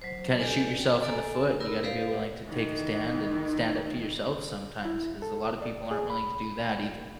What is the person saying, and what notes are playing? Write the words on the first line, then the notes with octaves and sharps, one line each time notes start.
kinda shoot yourself in the foot, and you gotta be willing to take a stand and stand up to yourself sometimes 'cause a lot of people aren't willing to do that either.
F#3 C5
D4 G4 A4 B4 D5 G#5
G5
A4 D5 G#5 A#5
D#4 E4 A#4 B5
G4 A4 B4 C5 D5 F5
D#3 E3
E4
A4
D5
G#4
B5